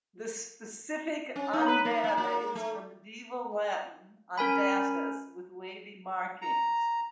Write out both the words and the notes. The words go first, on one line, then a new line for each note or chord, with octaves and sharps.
The specific "undata" is from Medieval Latin "undatus", "with wavy markings".
C#4
D#4
B4
A#3
A#3
A#3
A3
C#4 A#4 G#5 B5
A#5